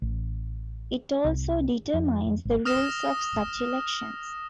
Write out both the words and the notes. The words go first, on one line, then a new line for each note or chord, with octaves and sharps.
It also determines the rules of such elections.
A1
C2
F2
G#1
D#6 F6 A#6 E7